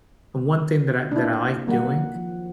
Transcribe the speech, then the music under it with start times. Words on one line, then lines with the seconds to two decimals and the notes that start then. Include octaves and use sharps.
the one thing that I that I like doing
1.12 A#3 C4 D4 E4
1.67 D#3 F#3 G3 A#3 F#5
2.15 F3